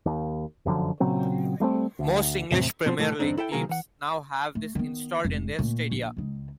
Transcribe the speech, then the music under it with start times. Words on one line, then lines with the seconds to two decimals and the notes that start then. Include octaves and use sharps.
Most English Premier League teams now have this installed in their stadia.
0.06 D#2
0.65 F1 F#2 D3 F3
1.00 A#2 C#3 F#3 C4
1.60 G3 A3 B3 C4
1.99 D2
2.51 E2 A2 C3 C4
2.86 B2 F3 C4
2.98 C2 A2 E3 A3 A4
3.19 E2 G2 D3 C4 D4 D#4
3.38 E4 A4 E5 G5
3.52 C3 D#3 F#3 A#3 G#4 A#4
3.69 E3 F#5
4.55 A3
4.75 D#3 B3
5.25 F1 G#2
5.59 A#2 A3
5.91 A#1
6.17 C#2 G#3